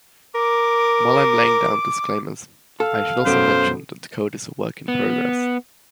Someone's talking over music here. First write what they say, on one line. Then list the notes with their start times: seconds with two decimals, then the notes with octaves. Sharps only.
While I'm laying down disclaimers, I should also mention that the code is a work in progress.
0.35 A#4 D6
2.80 A4 F5
3.26 F#2 B2 C#4 A4 C5
4.88 B3